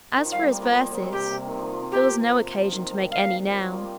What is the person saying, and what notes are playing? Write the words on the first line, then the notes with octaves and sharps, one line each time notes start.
As for his verses, there was no occasion to make any now.
D#3
F3
G3 F5
G3 C4
F3 A#3
F3 A#3
F3
G3
F3 A#3
G3 C4
C3 G4
C3
C3 D#3
D#3 F3
F3
C3
G4
F3
D#3
F3
D#3
G3
F5
F3 G3 A#3
G3 C4
F3 A#3
G3